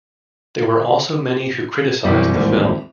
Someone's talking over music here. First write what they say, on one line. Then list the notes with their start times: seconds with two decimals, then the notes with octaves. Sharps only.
There were also many who criticized the film.
2.05 F#2 B2 E3 G3 C4 E4
2.35 A1 D#2 G#2